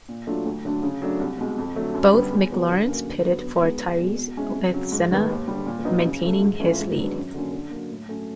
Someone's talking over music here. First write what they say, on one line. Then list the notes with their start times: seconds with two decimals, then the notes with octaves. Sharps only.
Both McLarens pitted for tyres with Senna maintaining his lead.
0.09 A#2
0.27 F#3 A3 D4 F4
0.45 D2
0.65 D3 F#3 A3 D4
0.83 C#3
1.02 F#3 A3 D4
1.20 C2
1.38 B2 G#3
1.58 F2
1.76 D3 F#3 A3
1.95 F#2
2.14 D3 G3 B3
2.31 E2
2.51 B2 F#3 B3
2.69 D3
2.87 F#3 A#3 C#4
3.06 D3
3.25 F#3 B3
3.44 B2
3.62 G#3 B3 D#4
3.81 E2
3.99 B2 G#3
4.18 B2
4.37 G#3 C#4 E4
4.55 F2
4.73 C#3 F#3
4.92 G#2
5.11 D#3 G#3 B3
5.30 D#2
5.48 D3 G3
5.66 A#2
5.85 F#3 B3 D#4
6.04 C#3
6.22 F#3 A3
6.41 G#2
6.60 E3 A3 C#4 F4
6.79 G#2
6.98 D#3 F#3 B3 D4
7.16 F#2
7.34 D3 F#3 A#3 C#4
7.53 D3
7.71 F#3 A#3
7.90 A2
8.08 F#3 A3 C#4